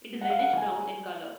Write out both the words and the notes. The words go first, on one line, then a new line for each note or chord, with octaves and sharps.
It is reddish-brown in color.
F#5
F5
F#5
G#5